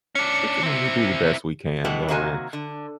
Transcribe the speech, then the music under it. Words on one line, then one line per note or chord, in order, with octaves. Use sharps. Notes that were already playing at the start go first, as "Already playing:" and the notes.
But, you know, we do the best we can, though, and
C#4 D4 C#7
C4 E4
B2 E3 G3 G#3 B3
C3 D#3 A#3 F#4 C5 G#5
D3